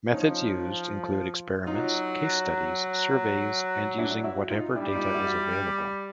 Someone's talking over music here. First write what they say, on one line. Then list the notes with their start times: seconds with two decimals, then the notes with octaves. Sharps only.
Methods used include experiments, case studies, surveys, and using whatever data is available.
0.12 F3 C#4 D#4
1.66 F#3 D#4 F4
3.98 D4 E4
4.24 E4 F#4
4.50 D#4 F4
4.76 G3 D4 E4
4.95 D#4 F4
5.14 E4 F#4